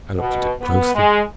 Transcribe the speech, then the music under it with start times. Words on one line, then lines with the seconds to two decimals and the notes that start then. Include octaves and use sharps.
I looked at it closely.
0.19 B2
0.61 B3
0.94 G#3